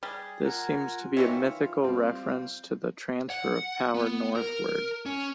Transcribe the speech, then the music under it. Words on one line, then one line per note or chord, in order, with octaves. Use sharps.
This seems to be a mythical reference to the transfer of power northward.
G3 G#4
F4 A#4 F#5 G#5
D#3 E3 C#5 E5 F5
G3 C4
F#5
B3
A#4
C#4